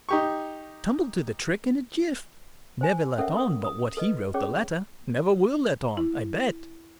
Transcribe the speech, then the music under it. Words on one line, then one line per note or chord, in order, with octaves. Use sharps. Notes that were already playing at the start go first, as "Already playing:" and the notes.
Tumbled to the trick in a jiff; never let on but what he wrote the letter, never will let on, I bet.
D#4 G4 C#6
C5 G#5
C#4 A4 A#4 C#5 E5 F#5
D#6
D#6
A4 B4 D#5
C#4 G#4 C#5 D6
E4